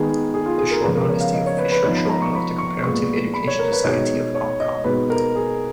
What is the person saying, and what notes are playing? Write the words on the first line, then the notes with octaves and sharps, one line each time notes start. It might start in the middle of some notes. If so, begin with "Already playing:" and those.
The journal is the official journal of the Comparative Education Society of Hong Kong.
Already playing: D#3 G#3 B3 D#4 G#4
G#4
F4
G#4
A#4
C#3 F3 G#3 B3 B4
A#4
C#5
F5
D#5
C#5
B4
B4
F3 B3 D#4 C#5
B5
A#5
C#6
B5
C#6
A#2 G#3 B3 C#6
B5
C#5
A#4
B4
B2 G#3 D#4 C#5
C#5
D#5
B2 G#3 B3 D#4 B4
A#4
G#4